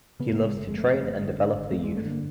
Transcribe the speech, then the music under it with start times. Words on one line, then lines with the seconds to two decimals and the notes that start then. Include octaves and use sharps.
He loves to train and develop the youth.
0.20 C#3 B3
0.33 G1 A#3
0.45 G#3
0.53 G1 A3
0.68 F2 G#3
0.78 A3
0.87 G1
1.04 G1
1.21 D3
1.38 D3
1.55 G#1
1.71 G#1 A3
1.84 G#3
1.89 G2
1.97 A3
2.05 D3 A#3